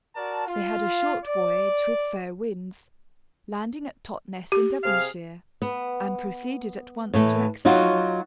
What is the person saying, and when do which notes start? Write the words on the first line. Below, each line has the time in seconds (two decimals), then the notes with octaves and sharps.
They had a short voyage with fair winds, landing at Totness, in Devonshire, and proceeded at once to Exeter.
0.15 F#4 A#4 D5 A5
0.47 F4
1.24 D5
4.52 G4
4.84 C3 G#4 F5
5.62 B3
7.14 A2 E3 A3
7.65 F#3 D#4 F4 F#4